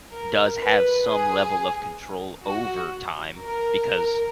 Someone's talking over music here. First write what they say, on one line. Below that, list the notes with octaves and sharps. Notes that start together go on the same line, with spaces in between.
does have some level of control over time because
A#4
B4
G#4
F#4
A#4